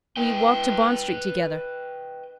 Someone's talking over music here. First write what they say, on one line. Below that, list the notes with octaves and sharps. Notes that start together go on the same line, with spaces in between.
We walked to Bond Street together.
B4 D#5 G5